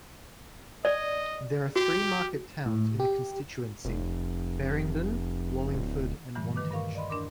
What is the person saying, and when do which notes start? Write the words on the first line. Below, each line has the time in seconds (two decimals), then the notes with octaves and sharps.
There are three market towns in the constituency: Faringdon, Wallingford and Wantage.
0.85 D5 D#5
1.76 F#4 G4
2.66 A2
3.00 G4
3.85 F1
5.74 D1
6.35 G2 A#2 D3 E3 G3 A3
6.56 D#3 B4 D6
6.70 G2 A#4 F5 C#6
6.95 D5 D#5 B5 C6
7.10 E2 D4 A#4 C6 D6